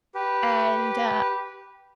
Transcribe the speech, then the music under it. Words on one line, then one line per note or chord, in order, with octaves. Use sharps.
and, uh
G4 B4